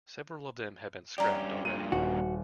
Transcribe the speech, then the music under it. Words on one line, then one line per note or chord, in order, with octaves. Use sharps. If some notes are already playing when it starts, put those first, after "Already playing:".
Several of them have been scrapped already.
G2 C#4 G4 D5 A#5
G2 A#2 D#7
D#1 F#4